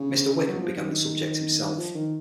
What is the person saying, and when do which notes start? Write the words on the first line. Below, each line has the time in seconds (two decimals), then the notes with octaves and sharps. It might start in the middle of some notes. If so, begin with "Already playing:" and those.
Mr. Wickham began the subject himself.
Already playing: C#3
0.48 F#3
0.62 F3
0.75 D#3
1.78 F3
1.95 D#3